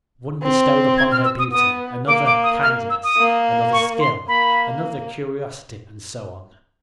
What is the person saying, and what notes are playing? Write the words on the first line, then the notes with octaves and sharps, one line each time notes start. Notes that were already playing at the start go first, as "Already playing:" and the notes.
One bestowed upon her beauty, another, kindness, another, skill, another, curiosity, and so on.
C4
G#6
F6
E6
D#6
B3 D#6
A#3 D6
D6
D#6
F6
E6
D#6
A#3
C#6
C6
A#3 B5